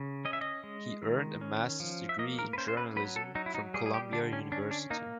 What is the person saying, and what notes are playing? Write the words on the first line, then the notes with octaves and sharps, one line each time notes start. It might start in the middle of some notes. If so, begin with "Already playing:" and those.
He earned a Master's degree in Journalism from Columbia University.
Already playing: C#3
C#4 D#5
E5
D#5
G#3
D#3
C#4
F3
E5
A#3 D#5
A#4
B4
C#4 C5
C5
B4
F#3 B4
A4
F#3 D#4
E4
D#4
G3 G#4
G#4
G4
D3 D4
C#4
C#4 D4
D4
A#3 D#4